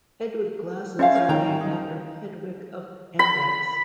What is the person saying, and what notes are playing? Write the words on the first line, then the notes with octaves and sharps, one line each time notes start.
Hedwig glasses are named after Hedwig of Andechs.
C#4 C5 E5 F5
A#4 C#5
D#3 G5 A#5
D#4
B5